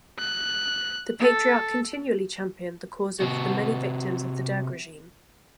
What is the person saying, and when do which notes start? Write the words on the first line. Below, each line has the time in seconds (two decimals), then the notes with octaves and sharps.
The Patriarch continually championed the cause of the many victims of the Derg regime.
0.19 F#6
1.20 A4
3.21 C3 F#4